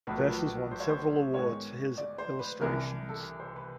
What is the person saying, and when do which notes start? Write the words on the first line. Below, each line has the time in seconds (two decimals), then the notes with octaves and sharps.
Vess has won several awards for his illustrations.
0.07 B1 A2 F3 B4
0.18 A#4
0.29 B4
0.71 C5
0.80 C#5
0.89 C5
1.34 G#2 D#3 G#3 B3 C#5
1.97 D5
2.18 C5
2.39 B4
2.61 C2 C3 E3 A#4
3.09 A4
3.40 C5
3.56 B4